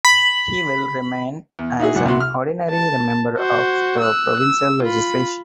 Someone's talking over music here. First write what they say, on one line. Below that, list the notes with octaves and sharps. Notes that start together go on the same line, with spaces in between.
He will remain as an ordinary member of the provincial legislature.
B5
E2
D#4 E4 F#4 G#4
C#2 G#2 F#3 F#5
C2 C3 F#4 C6
F6
A5
F#4 C5
E6 F#6
E6
F4 B5